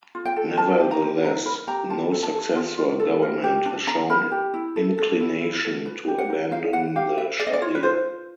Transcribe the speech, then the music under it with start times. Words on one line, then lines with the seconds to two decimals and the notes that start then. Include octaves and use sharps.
Nevertheless, no successor government has shown inclination to abandon the sharia.
0.15 F4
0.25 G5
0.36 A4
0.58 A#4 A5
0.80 G4
0.91 A#5
1.02 D#4
1.24 D#4 A#5
1.45 A#4 B5
1.67 G4 A#5
1.90 F4 A5
2.12 A4
2.23 A5
2.35 A4
2.56 F4
2.78 F4
3.00 A4
3.22 A#4
3.43 G4
3.66 D4
3.87 D4 A#5
4.10 A#4 B5
4.31 G4
4.54 E4
4.76 A4
4.98 A4
5.20 E4
5.41 E4
5.64 A4
5.86 B4
6.08 G4
6.18 F#5
6.30 D#4
6.51 D#4 F5
6.73 B4 F#5
6.96 G4 F5
7.17 B4 E5
7.40 G#4 D5
7.47 D#5
7.53 D5
7.62 F4 C#5
7.75 B4
7.83 F4 C5